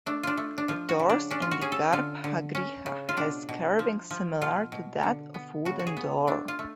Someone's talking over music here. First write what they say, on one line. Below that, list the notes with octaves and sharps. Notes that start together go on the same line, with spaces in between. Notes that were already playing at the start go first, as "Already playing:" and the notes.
The doors in the garbhagriha has carving similar to that of wooden door.
A3 D4
D4 F4
A3
D4
F3 F4
F#4
C#3
D4
C#4 D4
F4
F#4
C#4 G#4
A4
D3 F4
D3
C#4
C#3
F4
B2 D4
B2
F3
F3
B2 F4
B2
D3
B3
C#3 F#4
F#4
G#4
B3
A3 D4
F4
A3